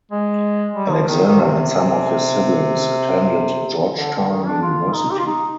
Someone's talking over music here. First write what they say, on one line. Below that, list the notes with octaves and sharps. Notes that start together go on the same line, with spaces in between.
Alexander and some of his siblings attended Georgetown University.
G#3
G3
F3
D#3
D#3
C3
D3
D3
D#3
D4
F4
D#4
G4
F4
D#4